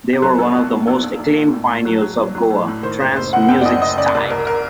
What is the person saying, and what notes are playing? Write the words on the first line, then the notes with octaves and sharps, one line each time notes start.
They were one of the most acclaimed pioneers of Goa Trance music style.
G4
F#3 A4
A#1
A#2
A#1
A#1
A#1
A#1
A#2
A2
A2
F#3
F#3
A#1
F#3
A2
A2
D#3 C5
F#1 C5
F#1 C5
F#1 F#5
F#2 G5
D5
F#2 D#5
F#1 D#5
F#1 D5
C2 D5
C2 A#4
A#4